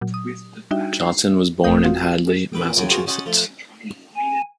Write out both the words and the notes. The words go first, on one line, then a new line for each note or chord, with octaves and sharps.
Johnson was born in Hadley, Massachusetts.
A#2 F#3
D#6
G3 D4 D#4 F#4 E5 G5
C7
G1 F2 A#4 D#6 G6
C4 F4 F#4 F5
A#2 B4 G5
C#2 F#2 F#3 F#4 G5 G#5
F4 F#4 G#4 A#4 C5
C#4 F#4 D#5 F#5 A5 C6
F3 A3
G#5